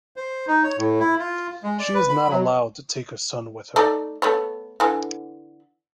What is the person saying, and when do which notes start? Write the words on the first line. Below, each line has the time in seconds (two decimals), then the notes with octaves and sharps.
She is not allowed to take her son with her.
0.16 C5
0.47 D#4
0.63 C#5
0.77 A2
0.99 E4
1.19 F4
1.63 G#3
1.79 D5
1.94 B4
2.09 B5
2.29 F#3
3.76 A3 D#4 D5
4.22 A3 B3 C#5
4.80 D3 E3